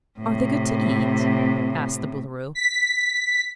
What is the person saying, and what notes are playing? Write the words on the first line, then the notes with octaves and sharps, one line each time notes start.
"Are they good to eat?" asked the Boolooroo.
A2 C3
B6